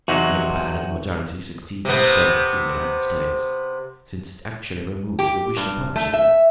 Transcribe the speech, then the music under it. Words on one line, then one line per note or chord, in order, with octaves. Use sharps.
The empire of the majority succeeds much better in the United States, since it actually removes the wish of publishing them.
E2 C3 F#3 D#4 F#4
C3 B3
G4
G2
A3
E5